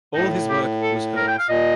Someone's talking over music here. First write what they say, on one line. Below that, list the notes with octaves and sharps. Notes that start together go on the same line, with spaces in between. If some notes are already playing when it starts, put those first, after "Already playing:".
All his work was hers.
A2 D#4
G4
A4
A#4
G5
F5
A#2 D#5